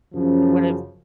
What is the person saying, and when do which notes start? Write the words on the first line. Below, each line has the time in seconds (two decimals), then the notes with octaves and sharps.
It would've
0.14 F#2 C#3 F3